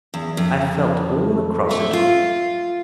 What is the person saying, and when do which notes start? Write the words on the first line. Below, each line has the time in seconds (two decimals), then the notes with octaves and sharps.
I felt all across it.
0.14 E2
0.37 F2
1.71 A3
1.93 F4